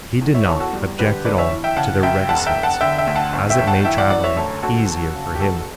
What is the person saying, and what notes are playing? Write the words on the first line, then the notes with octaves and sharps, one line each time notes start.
He did not object at all to their reticence, as it made traveling easier for him.
E2
C#5 E5
E2 A4 C#5
F#4 A4
G3
D3 G4 B4
G1 B4 D5
C#5 E5
E3
E5 G5
C#3 F#5 A5
F#2 E5 G5
E1 F#5 A5
E5 G5
E1
F#5 A5
D3 E5 G5
E5 G5
D2
F#5 A5
G1
E5 G5
G1
F#5 A5
F#5
E3 E5 G5
D5 F#5
F#2 D5 F#5
C#5 E5
D2 A4 C#5
D2 F#4 A4
F#3
C#3
G4
E1 F#4 A4